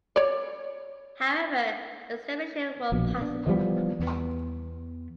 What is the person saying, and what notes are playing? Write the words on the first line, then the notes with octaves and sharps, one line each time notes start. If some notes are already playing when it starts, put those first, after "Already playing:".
However, estimations were possible.
C#5 D5
A#1 B2
B3 D4
E3 F3 G3 B3
E2 B3